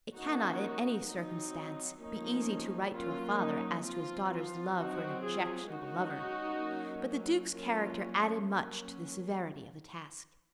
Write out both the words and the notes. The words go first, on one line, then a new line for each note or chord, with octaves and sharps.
It cannot in any circumstance be easy to write to a father as to his daughter's love for an objectionable lover; but the Duke's character added much to the severity of the task.
D#3 A#3 C#4 D#4 F#4
F#3 C4 D#4
F3 A#3 C#4 D#4
F#3 A#3 C#4 F4
D#4
F3 C4 F4
F4
F#3 C4 D#4 F#4
F4 G#4
D#3 G#3 C#4 D#4 F#4
F#3 A#3 C#4
F#3 A#3 C#4 F4
F#3 A#3 C#4